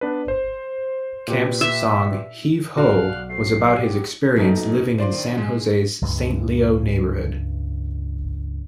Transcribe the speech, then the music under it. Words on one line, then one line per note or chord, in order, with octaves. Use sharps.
Camp's song Heave-Ho was about his experience living in San Jose's Saint Leo neighborhood.
B3 D4 B4
C5
A#2 G4 B4
E5
B1 F#4 D5 F5 F#6
G2 C3 A3 C7
D#3 F#3 G4
F#2 B2 A#3 D#4 A4
D4 F4 C5 D5 C6
D#3 C4 D4
G#3 G#4
C#2 G2 G#3